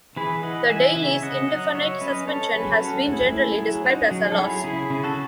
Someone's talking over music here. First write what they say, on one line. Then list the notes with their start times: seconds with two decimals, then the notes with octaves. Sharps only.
The daily's indefinite suspension has been generally described as a loss.
0.16 E3 G#4 B4
0.43 E3 D#5 F#5
0.69 E3 E5 G#5
0.96 C#3 E5 G#5
1.22 C#3 D#5 F#5
1.48 F#3 D#5 F#5
1.75 F#3 C#5 E5
2.01 C#4 B4 D#5
2.27 C#4 A4 C#5
2.53 F#3 G#4 B4
2.80 C#4 F#4 A4
3.06 A3 E4 G#4
3.32 A3 E4 G#4
3.59 F#3 E4 G#4
3.85 C#4 D#4 F#4
4.11 F#3
4.25 G#4
4.32 A4
4.38 F#3 E4 G#4
4.64 C#3 E4 G#4
4.90 C#3
5.04 F#4 A4